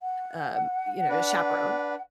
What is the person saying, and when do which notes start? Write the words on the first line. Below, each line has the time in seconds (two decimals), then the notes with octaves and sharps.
um, you know, a chaperone.
0.01 F#5
1.09 D4 B4